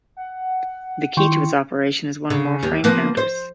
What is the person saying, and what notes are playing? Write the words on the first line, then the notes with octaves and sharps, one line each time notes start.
The key to its operation is one or more frame counters.
F#5
D#3 E4 G5 C6 C#6
C#3
D#2 G3
F3 A#3 B3
C5